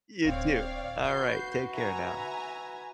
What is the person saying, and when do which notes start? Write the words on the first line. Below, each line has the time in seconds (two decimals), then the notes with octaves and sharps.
you too, alright, take care now.
0.25 D1 C4 C#5 D5 F5
1.04 C#3 F#4 B4 G6 C7
1.74 E5 G#5 A#5